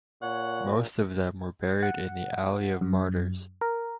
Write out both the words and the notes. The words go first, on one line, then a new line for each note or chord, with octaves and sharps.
Most of them were buried in the Alley of Martyrs.
A#2 C#5 F#5
F#5
F#2
A#4